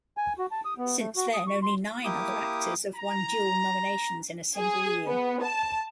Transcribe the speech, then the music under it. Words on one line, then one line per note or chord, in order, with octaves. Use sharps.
Since then, only nine other actors have won dual nominations in a single year.
G#5
F#4
A5
D#6
B3
A3
F#4
D#6
C#6
C6
A#3 E4 G4 D6 D#6
A#5
G#4
B3
A5